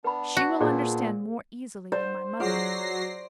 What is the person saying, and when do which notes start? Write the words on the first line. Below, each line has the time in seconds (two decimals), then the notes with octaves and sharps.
She will understand more easily than my mother.
0.04 B3 D4 B4 B5
0.37 F#4
0.60 A#2 G#4 C5 D5
1.92 C5 D5
2.40 F#3 F4 G#4 D5 F#5 A#6 C7